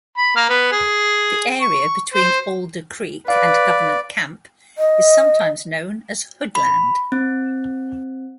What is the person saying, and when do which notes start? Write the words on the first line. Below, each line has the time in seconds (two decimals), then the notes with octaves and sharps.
The area between Alder Creek and Government Camp is sometimes known as Hoodland.
0.18 B5
0.36 A#3 F6
0.49 B3
0.72 G#4
1.61 C#6
2.14 C5
3.28 B4 D5 F5
4.78 D#5
6.55 B5
7.12 C4